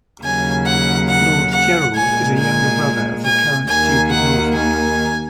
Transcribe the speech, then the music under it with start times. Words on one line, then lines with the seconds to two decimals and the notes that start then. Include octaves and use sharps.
Lord Gerald is a younger brother of the current Duke of Norfolk.
0.23 D#2 C#3 F#3 G#5
0.66 F#5
1.09 F#5
1.52 F#5
1.95 A#2 G#3 G#5
2.38 G#5
3.24 G#5
3.67 D#2 D#3 A#3 G#5
4.10 F#5
4.53 G#5